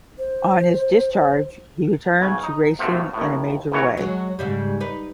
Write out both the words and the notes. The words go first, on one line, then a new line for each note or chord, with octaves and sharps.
On his discharge, he returned to racing in a major way.
C5
B1 C#3 G#5
D#4
B1 F#2 C3 F3 A3
D#2 A2
A1 D#2 B2 E3 C#5 A#5
F#3 G#3
G#2 C#3 G3
D#4 B4